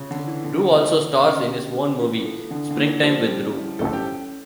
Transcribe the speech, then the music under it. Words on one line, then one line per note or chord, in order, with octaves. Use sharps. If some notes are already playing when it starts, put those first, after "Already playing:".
Roo also stars in his own movie, "Springtime with Roo".
Already playing: C#3 F4
D3
A4
E3
D3 C#4
D3 A#3
D5
D3 C#4
G4
C#4
E3 F4
A4
D3 D4
D3
E3 A#3
F3 G4
G3 C#4
E4
C#4 A4
G4